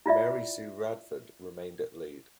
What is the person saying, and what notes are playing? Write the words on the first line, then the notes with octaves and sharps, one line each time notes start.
Mary Sue Radford remained at lead.
E4 F4 D5 E5